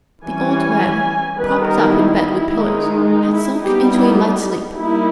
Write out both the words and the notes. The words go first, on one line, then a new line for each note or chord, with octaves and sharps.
The old man, propped up in bed with pillows, had sunk into a light sleep.
E3 G3 C#4 G#5
D#3 G3 B3 D#4 B4
A#4
E4
D#3 G#3 D#4
D#4
E4
G3 B3 D#4 G4
E4
G3 A#3 D#4 E4